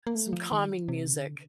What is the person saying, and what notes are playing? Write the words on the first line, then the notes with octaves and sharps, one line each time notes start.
some calming music.
A#3
A3
F3
D#3
C3
D3